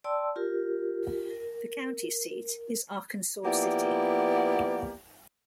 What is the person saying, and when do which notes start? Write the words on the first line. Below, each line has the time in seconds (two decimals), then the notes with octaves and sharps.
The county seat is Arkansas City.
0.04 D5 G5 A5 C6 E6
0.36 F4 G4 A#4
1.30 A#4
3.45 F3 A#3 B3 E4 G4 D5